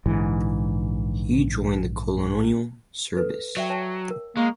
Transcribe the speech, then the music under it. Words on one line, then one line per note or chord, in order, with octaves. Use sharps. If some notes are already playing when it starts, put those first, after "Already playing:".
He joined the Colonial Service.
A#1 G#2 D3 E3
A4 B4
F#3 D5 E5 G5
C#5 G5 A5
A#4
G#3 A#3 C#6